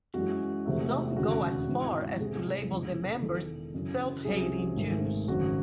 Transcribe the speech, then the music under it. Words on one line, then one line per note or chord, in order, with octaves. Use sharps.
Some go as far as to label the members self-hating Jews.
F#2 E3 G#3 C#4 F#4
E2 C3 E3 A3
E1 D#2 C#3 F#4
G#2 E3 C4
E2 C3 E3 G#3 C4 G#4
E1 E2 C#3
E1 E2 D#3 A4
F#2 C#3 E3
C2 C3 F#3 C#4 G#4
G#1 G#2 D#3 A3
G#1 F#2 C#3 G#3 F#4